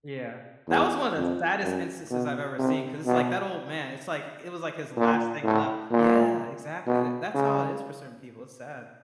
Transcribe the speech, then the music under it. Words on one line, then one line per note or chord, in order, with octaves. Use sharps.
Yeah, that was one of the saddest instances I've ever seen, 'cause it's, like, that old man, it's, like, it was, like, his last thing left. Yeah, exactly, tha that's how it is for certain people, it's sad.
E2
F2
F#2
B2
C3
B2
A#2
A2
A#2
B2
C#3